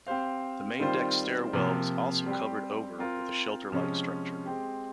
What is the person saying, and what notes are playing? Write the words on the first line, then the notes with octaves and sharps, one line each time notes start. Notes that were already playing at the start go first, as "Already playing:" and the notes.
The main deck stairwell was also covered over with a shelter-like structure.
C4 G4 C5 F5
D#3 G3 C4 F4 C5
C3 F3 A#3
G3 C4 G4
C4 F4 A#4
C3 F3 G#3 C#4
G#3 C4 G4